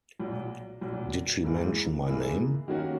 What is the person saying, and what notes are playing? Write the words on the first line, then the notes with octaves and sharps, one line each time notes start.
Did She Mention My Name?
B1 A#2 F#3
B1 A#2 F#3
G#2 E3 A#3 E4 G#4
G#2 E3 A#3 E4 G#4
D#3 F#3 A#3 C#4 F#4